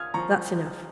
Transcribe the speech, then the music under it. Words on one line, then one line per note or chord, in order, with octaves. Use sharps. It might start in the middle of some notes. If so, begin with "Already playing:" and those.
That's enough.'
Already playing: F4 D#6 F6 G#6
F3 A#5 C#6